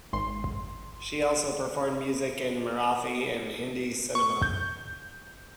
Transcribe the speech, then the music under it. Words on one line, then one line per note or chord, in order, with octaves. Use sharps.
She also performed music in Marathi and Hindi cinema.
G#1 C6
C#6
G6